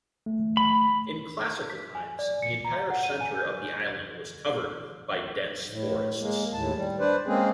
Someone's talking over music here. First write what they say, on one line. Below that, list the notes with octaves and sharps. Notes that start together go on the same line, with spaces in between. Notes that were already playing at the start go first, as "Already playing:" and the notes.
In classical times the entire center of the island was covered by dense forests.
A3
B5
B6
G#5
D5
C#7
A#5
F#5
D#7
G#5
G6
G#6
A2
G#3 A#3
D#2 A2 A5
G3
D4 B4 C5 D5
G#3 A#3 C4 C#4 G#4